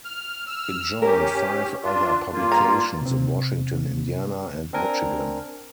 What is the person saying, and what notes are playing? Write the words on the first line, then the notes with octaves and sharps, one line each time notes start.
It joined five other publications in Washington, Indiana, and Michigan.
F6
E6 F6
C#4 G4 A#4
D4 F4
G2 A#3 F4
A#5
C3 C4
C4 D4 A#4 G#5